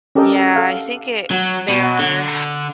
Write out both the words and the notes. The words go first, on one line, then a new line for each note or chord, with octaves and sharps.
Yeah, I think it there are
C#4 G4 A4 A#4 D#5 G5
A4 F5 F#5
F#3
B2
D3